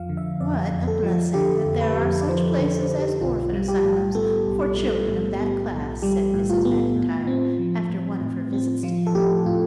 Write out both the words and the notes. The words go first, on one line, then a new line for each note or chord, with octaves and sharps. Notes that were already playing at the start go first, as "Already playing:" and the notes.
"What a blessing that there are such places as orphan asylums for children of that class," said Mrs. Maclntyre, after one of her visits to him.
Already playing: F2 F3 F5
D3
E5
F2 D5
F2
A4
F3
D3 G4
F2
B4
F2
D5
F3 C5
B4
D3
A4
F2
G4
B1 F4
G3
G4
A2
B3 A4
B1
G3
A2
B3
B1
G3 G4
A2
F4
B3
A2
C4
F3
A2
A2
C4
F3 F4
A4
A2 G4
A2 F4